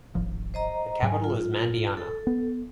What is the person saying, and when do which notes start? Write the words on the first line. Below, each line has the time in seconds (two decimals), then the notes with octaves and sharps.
The capital is Mandiana.
0.15 D1 G#1 F3
0.54 C5 D#5 A#5
1.03 G#2 F#3 G#5
1.24 F4
1.97 A4
2.27 B3